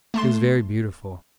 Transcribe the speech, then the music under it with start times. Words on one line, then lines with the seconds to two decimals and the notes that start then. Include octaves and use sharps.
He was very beautiful.
0.14 A3 A5 C6